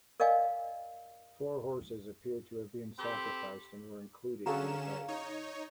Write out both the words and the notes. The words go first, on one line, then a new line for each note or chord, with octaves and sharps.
Four horses appear to have been sacrificed and were included in the grave.
A#4 D5 D#5 F5 G#5
C4 G4 A4 B5
D3 C#4 F#4 G#4 A4 F5 A#5 E7
D#4 C#5